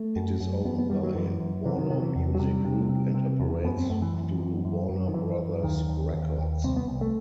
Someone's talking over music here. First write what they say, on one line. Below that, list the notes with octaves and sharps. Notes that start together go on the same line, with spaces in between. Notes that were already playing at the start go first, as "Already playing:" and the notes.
It is owned by Warner Music Group, and operates through Warner Brothers Records.
Already playing: A3
F#2
F#2
F#2 B3
B3
F#2 G3
F#3
F#2 E3
F#2
C3 E3
D#3
C3 D#3
F#3
E3
E2
F#3
C3 G3
C3
C3
C3
E2
F#2 B3
C4
F#2 A3
E3
F#2
F#2
F#2
F#2
D#3
F#2 E3
F#2
D#2 D#3
D#2
D#2
D#2
C2 C4
B3
C2
A3